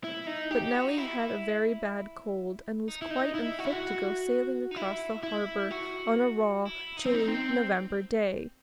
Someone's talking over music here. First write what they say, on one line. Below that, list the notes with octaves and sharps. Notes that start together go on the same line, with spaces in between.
But Nellie had a very bad cold and was quite unfit to go sailing across the harbour on a raw, chilly November day.
E4
D#4
G4
F#4
D#4
E4
D#4
E4
D#4
E4
F#4
E4
F#4
D#4
E4
E4
F#4
E4
D#4
C4
D#4
C4